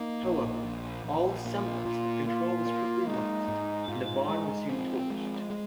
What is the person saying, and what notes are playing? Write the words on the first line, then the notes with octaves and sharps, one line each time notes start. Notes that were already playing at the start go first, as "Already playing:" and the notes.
However, all semblance of control was quickly lost and the barn was soon torched.
Already playing: A#3 D#4
A#1
A#1
A#1
A#2 F4
A#2
A#3 F4
A#3
G#3 D#4
G#2
G#2 F4
G#3 D#4
F3 C4
G#3
G#3